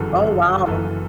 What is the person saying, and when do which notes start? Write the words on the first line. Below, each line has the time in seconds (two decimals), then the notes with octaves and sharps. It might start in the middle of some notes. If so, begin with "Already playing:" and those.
Oh, wow.
Already playing: G1 F#2 C#3 E3 A4
0.66 F#1 F#2 E3 A4